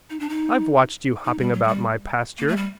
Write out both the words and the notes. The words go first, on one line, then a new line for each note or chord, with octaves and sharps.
I've watched you hopping about my pasture.
D#4
D4
D#4
D#4
G3
F#3
A3
G3
A#3
A3
G3